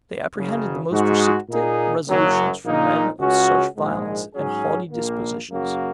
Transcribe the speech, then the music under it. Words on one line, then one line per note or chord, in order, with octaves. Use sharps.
They apprehended the most precipitate resolutions from men of such violent and haughty dispositions.
F#1 F#2 C#3
G#2 G#3 F#4
A#2 A#3 D#4 G#4
F#1 F#2 F#3
A#1 A#2 A#3 D#4
C#2 C#3 G#3 C#4 F#4
A#1 G#2 G#3
G#2 F#3 C#4 G#4
A#1 A#2 A#3
F#2 C#3 A#3 F#4